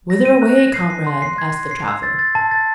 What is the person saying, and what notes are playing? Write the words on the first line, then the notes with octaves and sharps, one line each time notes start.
"Whither away, comrade," asked the traveller.
A#6
D#7
F#6
A#6
C7
C7
C6
C7
G#6
G#6
C7
E6
A6
A6
A5
A6